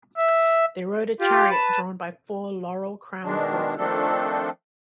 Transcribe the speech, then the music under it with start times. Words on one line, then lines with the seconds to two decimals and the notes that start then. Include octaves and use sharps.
They rode a chariot drawn by four laurel-crowned horses.
0.17 E5
1.20 F4 G4
1.50 B4 A5
3.24 B2 D#3 G#3 D4
3.77 D#3 F3 A3 C4 D4 A4